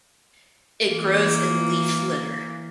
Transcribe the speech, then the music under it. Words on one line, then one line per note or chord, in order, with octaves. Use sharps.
It grows in leaf litter.
E3 A#3